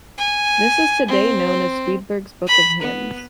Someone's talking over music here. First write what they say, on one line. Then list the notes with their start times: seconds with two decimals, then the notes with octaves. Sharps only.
This is today known as Swedberg's Book of Hymns.
0.18 G#5
1.08 C4
2.47 B5
2.81 B3